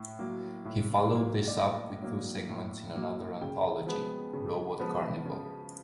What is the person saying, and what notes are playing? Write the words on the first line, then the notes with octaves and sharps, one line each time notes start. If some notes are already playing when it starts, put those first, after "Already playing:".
He followed this up with two segments in another anthology, "Robot Carnival".
Already playing: A2
F#3 A#3
A2
F#3 A#3
D5
A2 D#5
F#3 A#3
A2
F#3 A#3
C#3 G5
F3 G#3 B3
C#3
F3 G#3 B3
C#3